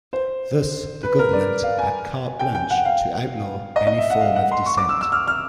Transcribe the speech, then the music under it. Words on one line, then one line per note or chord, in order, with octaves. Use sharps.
Thus the government had "carte blanche" to outlaw any form of dissent.
C5
B4
A#4
D5
F5
G#5
G5
G5
F#5
F5
D#5
D#5
E5
F#5
F5
F#5
C6
C#6
D6
E6
E6
F6
F6